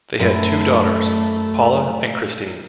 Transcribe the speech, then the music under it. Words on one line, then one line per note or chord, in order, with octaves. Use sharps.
They had two daughters, Paula and Christine.
F#2 A3 E4